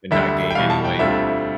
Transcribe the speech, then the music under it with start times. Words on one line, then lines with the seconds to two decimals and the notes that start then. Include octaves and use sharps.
and not gain any weight.
0.11 D2 D3 G3 E5
0.50 G5
0.55 E2 B2 G3 F5
0.70 A5
0.85 G5
0.99 D2 D3 G3 C4 F4 E5